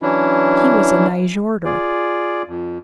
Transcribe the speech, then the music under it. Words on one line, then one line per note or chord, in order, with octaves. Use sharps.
He was a Nyjorder.
E3 F#3 C#4 D4 E4
F4 G#4 D5
F2